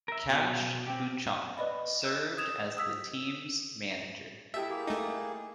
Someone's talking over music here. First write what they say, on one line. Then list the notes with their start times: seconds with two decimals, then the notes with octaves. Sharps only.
Kash Beauchamp served as the team's manager.
0.08 A#4 E5
0.30 B2
0.87 C4 G4
1.58 B4 D5 D#5 B5
2.02 E6 G6 E7
2.38 D#6 G#6 E7 F7
2.77 D#6 E6 B6
4.54 E4 G4 A4 D#5 E5
4.69 A#3 G#4
4.87 A3 D#4